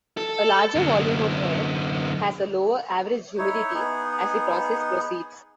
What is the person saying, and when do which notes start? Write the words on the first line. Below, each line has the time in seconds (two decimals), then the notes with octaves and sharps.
A larger volume of air has a lower average humidity as the process proceeds.
0.17 A4
0.75 F#2 D3
3.38 D#4 E4 C#5
3.74 B3 D#4 G#4